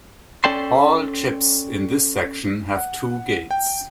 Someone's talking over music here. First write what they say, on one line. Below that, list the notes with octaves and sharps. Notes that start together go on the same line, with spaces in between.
All chips in this section have two gates.
C#4 A4 D5 G5 A5 C6
F#5
G5